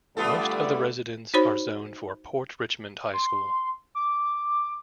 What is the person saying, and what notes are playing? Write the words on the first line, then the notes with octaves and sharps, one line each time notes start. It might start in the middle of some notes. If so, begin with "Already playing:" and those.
Most of the residents are zoned for Port Richmond High School.
D3 G3 A3 B3 F4 A4
D#4 F#4 C5 C#5 B5
C6
D6